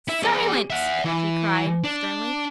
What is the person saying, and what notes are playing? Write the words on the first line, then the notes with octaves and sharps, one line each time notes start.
"Silence!" she cried, sternly.
E4 E5
G#4 D5
E5 F#5
E3
D4